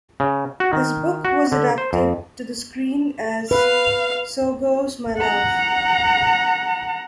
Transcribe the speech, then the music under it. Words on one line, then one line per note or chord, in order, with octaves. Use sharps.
This book was adapted to the screen as "So Goes My Love".
C#3
F#4
D#3
F#4
D3
C5
F2
B4 F5
F#5 A#5